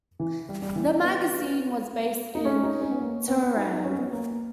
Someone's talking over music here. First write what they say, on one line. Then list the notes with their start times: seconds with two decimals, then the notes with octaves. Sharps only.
The magazine was based in Tehran.
0.20 E3
0.49 G3
0.62 G3
0.76 E3
1.04 B3
2.35 D#4
2.45 C#4
2.63 D#4
2.81 C#4
2.92 B3
3.01 A#3
3.28 B3
3.43 B3
3.56 D#4
3.71 D#4
3.84 C#4
3.99 B3
4.13 A#3